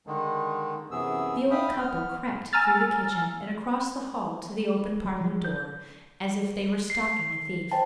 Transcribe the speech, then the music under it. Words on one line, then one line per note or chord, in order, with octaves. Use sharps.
The old couple crept through the kitchen and across the hall to the open parlour door as if they were stalking a thief.
D3 D#3 G#3
F#2 C3 E3 B3 G#4 E6
E5 F5 G5 B5 D#6 F6
B3 F6
G#5 A#5 E6 F6 A6
F#3
F3
G6
C7
C5 G5 A5